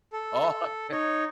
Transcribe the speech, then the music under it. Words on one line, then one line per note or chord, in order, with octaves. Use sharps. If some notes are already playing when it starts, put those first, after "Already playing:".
Oh, okay.
A4
D#4 C#5